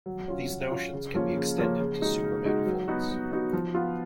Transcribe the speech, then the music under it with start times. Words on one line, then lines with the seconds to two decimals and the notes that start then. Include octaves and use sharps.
These notions can be extended to supermanifolds.
0.06 F#3
0.28 C#4 F4
0.49 F#3
0.71 C#4 F4
0.93 C#3
1.14 F3 A#3 C#4 F4
1.37 C#3
1.58 F3 A#3 C#4 F4
1.79 C#3
2.01 G#3 D#4 F#4
2.23 C#3
2.45 G#3 D#4 F#4
2.66 F#3
2.88 B3 D#4 F#4
3.10 F#3
3.32 B3 D#4 F#4
3.53 F3
3.74 B3 F4